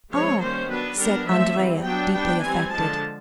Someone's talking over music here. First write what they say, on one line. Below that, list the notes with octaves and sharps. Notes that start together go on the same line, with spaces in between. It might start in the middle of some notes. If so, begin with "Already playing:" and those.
"Ah," said Andrea, deeply affected.
F3 G#3 C4 C#5
D#3 G3 A#3 C#4 C5
F#3 B3 D4 B4
G3 B3 D4 A#4
F3 A3 C4 E5
E3 G3 C4
F#3 B3 D4 G5
G3 B3 D4 G5
E3 G3 C4 G#5
D3 F3 G#3 A5